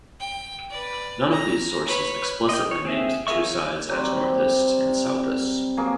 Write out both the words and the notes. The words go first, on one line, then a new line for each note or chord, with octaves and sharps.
None of these sources explicitly names the two sides as Northists and Southists.
G5
B4 D5
A#5
B4 C#5
D#5 G5
C#5
C4 G#4 E5
F4 G#4 A#4 E5 C#6
C#5
C3 F#3 G3 C4
F#3 A#3 G#4